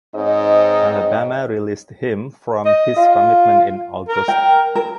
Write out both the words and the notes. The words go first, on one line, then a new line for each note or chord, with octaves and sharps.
Alabama released him from his commitment in August.
G#2 C4 D#4 C#5 D#5
D#5
F4
A#4
G5
A#4